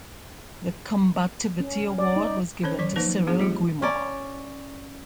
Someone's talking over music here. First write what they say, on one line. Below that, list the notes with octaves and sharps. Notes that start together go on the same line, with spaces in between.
The combativity award was given to Cyrille Guimard.
C#4
D5
D#4
D#3 C#4 C5 C#5
F#3 D5 C#6
F3 A#3 D#4 B4
B3 D4 G#4
F#3 G#3 F4 G4
C#4 D5